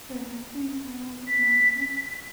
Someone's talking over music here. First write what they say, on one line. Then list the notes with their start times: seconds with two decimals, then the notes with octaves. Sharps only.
There are three styles of monocle.
1.27 B6